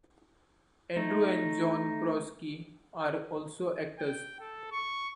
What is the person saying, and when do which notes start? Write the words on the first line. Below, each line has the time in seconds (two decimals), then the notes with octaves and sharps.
Andrew and John Prosky are also actors.
0.96 A3 D#4
3.99 G5
4.40 A4
4.72 C#6